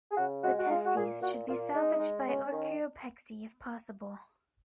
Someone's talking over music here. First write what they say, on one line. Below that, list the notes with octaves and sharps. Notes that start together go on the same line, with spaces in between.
The testes should be salvaged by orchiopexy if possible.
G#4
C#3 F#4
G#3 F#4
F#4
G#3 F4
F#4
A#2 G#4
A#2 F#4
A#2 F4
G#3 D#4
G#3
C#4
D#3